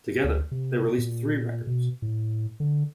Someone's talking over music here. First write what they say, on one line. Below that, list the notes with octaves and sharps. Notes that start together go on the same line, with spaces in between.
Together, they released three records.
D2
C3
A#2
B2
A2
D3